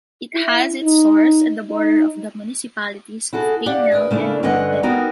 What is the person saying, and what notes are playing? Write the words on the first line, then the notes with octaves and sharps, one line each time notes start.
It has its source at the border of the municipalities of Painel and Urupema.
E4
D#4
D#4
E4 F#4 G#4 A4
D4 G4 D5 F5 F#5
G#4 A#4 B4
C#3 A3 A#3 D4 E4
G2 D3 C#4 B4 D#5 F#5
B3 C#4 D#4 F#4 G4 A#4